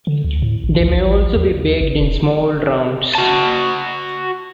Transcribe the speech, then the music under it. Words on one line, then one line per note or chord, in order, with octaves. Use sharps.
They may also be baked in small rounds.
D3
D2
A2
A1
D2
A1
D#2
G#1
E1
F#4 A5